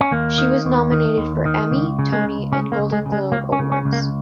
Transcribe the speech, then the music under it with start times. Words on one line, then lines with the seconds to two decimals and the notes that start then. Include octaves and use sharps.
She was nominated for Emmy, Tony and Golden Globe Awards.
0.01 C#4
0.11 D#2 A#3
0.38 D#3
0.65 D#2
0.92 D#3
1.18 D#2
1.46 D#3
1.71 C#2
1.99 C#3
2.12 G#3
2.25 C#2
2.52 C#3 C#4
2.72 A#3
2.78 C#2
2.92 G#3
3.06 C#3
3.12 G#3
3.32 C#2 A#3
3.52 C#4
3.59 C#3
3.72 C#4
3.85 C#2
3.93 A#3